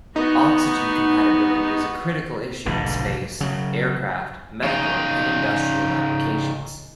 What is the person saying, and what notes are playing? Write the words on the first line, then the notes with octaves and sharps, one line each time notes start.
Oxygen compatibility is a critical issue in space, aircraft, medical, and industrial applications.
B3 D#4 F#4
F1 B1 G#2 D3
C#3 F#3
C#3 D#4